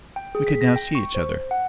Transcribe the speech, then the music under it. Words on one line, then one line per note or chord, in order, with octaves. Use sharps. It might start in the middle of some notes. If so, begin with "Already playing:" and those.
We could now see each other.
G5
G#4
B6
A#6
G5
C#6
C5
F#5